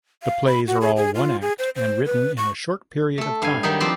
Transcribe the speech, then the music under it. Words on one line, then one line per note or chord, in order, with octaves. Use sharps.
The plays are all one-act, and written in a short period of time.
F5
B5
F#4
G#4
G#4
F4
G#4
C5
C5
B4
C#6
A3 A4
G2 F5 G#5
D#3 F#3 G3 D#4
F3 C4 F4 G4 B4 D5